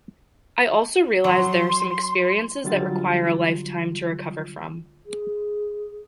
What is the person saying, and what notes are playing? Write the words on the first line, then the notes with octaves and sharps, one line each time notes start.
I also realized there are some experiences that require a lifetime to recover from.
F#3 C6
D3 F#3 G3 F4 A6
G#4